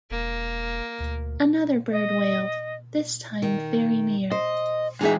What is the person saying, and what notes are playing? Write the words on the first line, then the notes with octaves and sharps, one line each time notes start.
Another bird wailed, this time very near.
E1 A#3
D2
D#5
D#3
C5 D#5
E3 G#3 D#4 G#4 E5